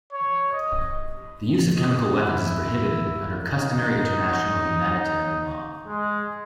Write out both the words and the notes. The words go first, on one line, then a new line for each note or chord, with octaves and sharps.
The use of chemical weapons is prohibited under customary international humanitarian law.
C#5
D#5
D#5
E4
D#4
G#3